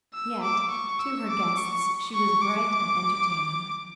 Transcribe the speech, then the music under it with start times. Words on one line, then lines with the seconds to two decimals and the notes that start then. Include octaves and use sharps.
Yet, to her guests she was bright and entertaining.
0.14 E6
0.44 D6
0.71 C#6
1.00 E6
1.29 D6
1.57 C#6
2.14 C#6
2.42 D6